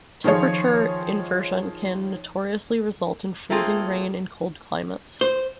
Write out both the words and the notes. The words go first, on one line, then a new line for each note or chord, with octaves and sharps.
Temperature inversion can notoriously result in freezing rain in cold climates.
D#3 F3 F4 G#4 C#5
A3 A#3 C4 F4 G4 G#4
C5